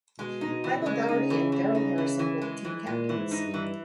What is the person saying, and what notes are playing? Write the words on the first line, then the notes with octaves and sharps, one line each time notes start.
Michael Dougherty and Darrell Harrison were the team captains.
B2 G#3
D#4
B2
E3
C#3
G#3
C#3 D#4
E3
E3
D#4
E3
E3
G#3
E3
A#2 G#3
E3
G#2
D#4
G2
E3